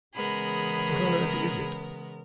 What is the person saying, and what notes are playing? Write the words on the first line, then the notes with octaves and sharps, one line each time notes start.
"What on earth is it?"
C#3 E3 G#3 B3 G#4 A#4 B5